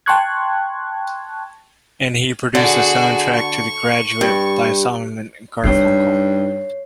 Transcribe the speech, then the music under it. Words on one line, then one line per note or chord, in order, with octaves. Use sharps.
And he produced the soundtrack to "The Graduate", by Simon and Garfunkel.
G5 A5 C6 C#6 F#6 G#6
D3 F#4 G#4
C#6
G2
G2 C#4 D#4 C#5 C7